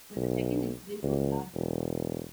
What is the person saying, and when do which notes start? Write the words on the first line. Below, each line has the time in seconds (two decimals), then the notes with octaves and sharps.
But the second incident was larger.
0.17 B1
1.03 C#2
1.55 E1